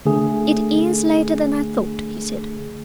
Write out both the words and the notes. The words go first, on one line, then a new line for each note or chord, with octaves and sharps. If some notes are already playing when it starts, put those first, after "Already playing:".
"It is later than I thought," he said.
D3 A3 G#4